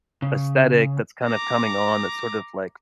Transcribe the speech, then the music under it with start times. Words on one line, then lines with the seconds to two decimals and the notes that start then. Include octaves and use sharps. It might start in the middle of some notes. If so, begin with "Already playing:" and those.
aesthetic that's kinda coming on that's sort of, like
0.22 C#3
1.25 A#5 D6